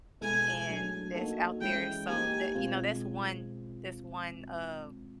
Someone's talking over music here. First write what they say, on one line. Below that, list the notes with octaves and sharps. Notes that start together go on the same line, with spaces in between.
and that's out there, so, that you know, that's one that's one, of
B2 G#3 B3 E4 A4 G#5
F#3 A3 D4
A#3 D#4 F#4 A4
E3 G#3 C#4 E4 G5
A#3 D#4 G4 A#4 G#5
B2 G#3 C4 F4